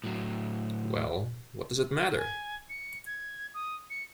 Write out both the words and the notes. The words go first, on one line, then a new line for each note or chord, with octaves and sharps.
Well, what does it matter?
A2 F#3
G#5
C#7
G#6
D#6
C#7